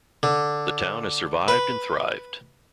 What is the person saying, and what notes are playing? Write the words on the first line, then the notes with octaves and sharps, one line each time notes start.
The town has survived and thrived.
D3
B4